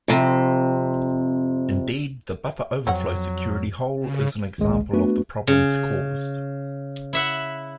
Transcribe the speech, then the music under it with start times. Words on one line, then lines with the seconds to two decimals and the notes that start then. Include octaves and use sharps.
Indeed, the buffer overflow security hole is an example of the problems caused.
0.08 F2 C3
2.87 F2 F#3 C4 C#5 F#5
4.00 C#3
4.58 G#1 C#2 G#3
4.93 A3 B3 D4 F#4 B4
5.47 C#3
7.13 E4 E5 F#5